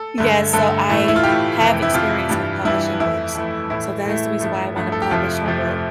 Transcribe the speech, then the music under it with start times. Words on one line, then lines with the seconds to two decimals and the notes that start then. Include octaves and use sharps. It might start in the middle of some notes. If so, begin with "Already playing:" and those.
yes, so I have experience with publishing books, so that is the reason why I wanna publish her book.
Already playing: A4
0.18 G2 D3 A3
0.53 G2 D3 A3 A4
0.89 A2 E3 A3
1.08 E4
1.16 F4
1.23 A2 E3 A3 G4
1.59 F2 C3 E3
1.82 E4
1.94 F2 C3 E3 F4
2.29 G2 E3 G3
2.65 G2 E3 G3 E4
3.00 F2 E3 A3 E4
3.35 F2 E3 A3
3.70 A2 E3 A3 E4
4.05 A2 E3 A3
4.41 G2 F3 A3
4.76 G2 F3 A3
4.92 A4
5.02 G4
5.11 F2 C3 F3 A3 F4
5.46 F2 C3 F3 A3